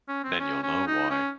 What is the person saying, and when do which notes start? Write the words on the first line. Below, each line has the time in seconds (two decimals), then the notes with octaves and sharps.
Then you’ll know why.
0.08 C#4
0.24 C4
0.39 C#4
0.63 C#4
0.87 D#4
1.10 C#4